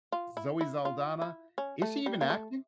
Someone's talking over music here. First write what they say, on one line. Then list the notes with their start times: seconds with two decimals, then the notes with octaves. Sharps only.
Zoe Saldana, is she even acting?
0.12 F4
0.37 E4
0.61 E4
0.85 F4
1.22 E4
1.58 C#4
1.82 A3
2.06 G3
2.21 A#3
2.30 A3